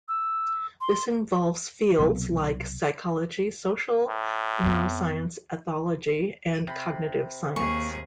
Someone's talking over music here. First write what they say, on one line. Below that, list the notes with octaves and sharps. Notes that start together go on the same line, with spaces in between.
This involves fields like psychology, social neuroscience ethology, and cognitive science.
E6
C6
C2 B2 F#3 B3
A2
F2 B3
C3 B5
D#2 A#3 G#4 G#5 C#6